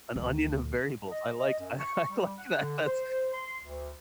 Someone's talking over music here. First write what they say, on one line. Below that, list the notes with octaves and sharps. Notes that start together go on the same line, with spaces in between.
An onion and variables. I like tha I like that. That's
D2
D#5
D#5
F#2
C#6
G3
F#5
D3
C5
C6
D2